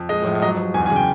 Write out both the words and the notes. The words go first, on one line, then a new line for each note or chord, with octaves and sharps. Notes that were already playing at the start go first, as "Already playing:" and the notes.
Wow, wow.
Already playing: F2
G#3 D#5
F3
F#3 D#5
F#3
E2 G#5
G#5
C#3 G5